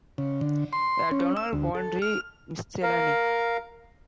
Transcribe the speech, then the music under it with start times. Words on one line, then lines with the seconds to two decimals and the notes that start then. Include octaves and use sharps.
"A Donald Wandrei Miscellany".
0.18 C#3
0.41 D3
0.73 C6
1.11 C#4
1.37 E6
1.53 D2
1.75 A4
2.02 F6
2.83 A#4 F5